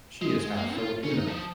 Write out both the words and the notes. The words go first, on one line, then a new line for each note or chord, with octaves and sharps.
She is half Filipino.
G#3
G#3
A#3
F4
C#4
D#4
F3